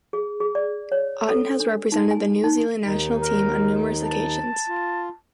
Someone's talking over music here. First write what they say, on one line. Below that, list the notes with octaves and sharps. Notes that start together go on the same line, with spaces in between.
Oughton has represented the New Zealand national team, on numerous occasions.
G#4
G#4
D5
C#5
A4
D4
D#4
G#5
D#4
D#2 D#3 D#4
A#4
A5
F4